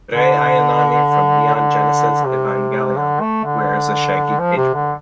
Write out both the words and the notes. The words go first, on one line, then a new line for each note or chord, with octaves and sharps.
Rei Ayanami from "Neon Genesis Evangelion" wears a shaggy pageboy.
D3
D3
C3
D3
A3
D3
F3
C3
D3